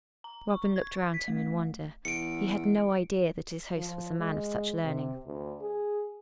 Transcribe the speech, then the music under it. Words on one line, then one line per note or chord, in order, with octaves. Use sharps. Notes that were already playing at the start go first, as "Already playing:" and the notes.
Robin looked round him in wonder: he had no idea that his host was a man of such learning.
A#5
C#6
G#6
B6
A3
E2 C#7 D7
F3
G#3
C3
D2
G#4